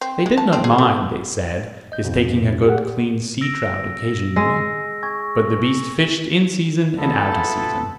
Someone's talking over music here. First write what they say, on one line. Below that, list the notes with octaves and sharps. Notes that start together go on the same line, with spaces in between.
They did not mind, they said, his taking a good clean sea-trout occasionally; but the beast fished in season and out of season.
C4
G#3
A5
C4
G#4
A3
D#5 G6
F2 G#2 B2
G4 G#4 F#5
E6 A#6 D7
G#3 E6 A#6
G#5 C#6 G#6
B3 E4 F4 A4 A5 B5